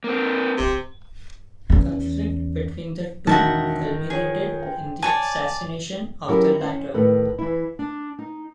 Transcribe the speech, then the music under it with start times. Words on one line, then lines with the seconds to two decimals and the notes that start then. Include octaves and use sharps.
Conflict between the two culminated in the assassination of the latter.
0.04 A#3 C4
0.58 C3
1.70 E2 C#4
3.27 E1 D#3 F#4 E5 A5
4.10 F4 G#4 C#5
4.62 C5 G5
5.02 C#5 D5 G#5 A5
6.28 F#3 C#4 E4 G4 A4 A#4
6.60 C#4 C5 F5
6.94 A2 D#3 A4 B4
7.38 E3 E4
7.79 D4
8.19 D#4